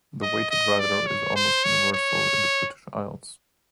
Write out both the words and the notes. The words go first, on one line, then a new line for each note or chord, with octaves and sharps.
The weighted rudder is almost universal in the British Isles.
D#5
D#5
D5
C#5
C5
C#5
C#5